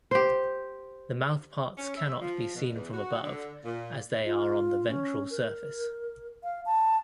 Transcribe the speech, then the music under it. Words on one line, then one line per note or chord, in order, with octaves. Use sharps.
The mouthparts cannot be seen from above as they are on the ventral surface.
G4 C5
C#4
E5
F3
B2
E2
F#4
D3
A#2
F4
C#4
A#4
F5
A5